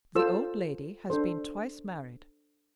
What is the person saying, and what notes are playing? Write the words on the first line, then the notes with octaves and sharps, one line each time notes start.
The old lady has been twice married.
F4 A4 C5 E6
D4 A4 C5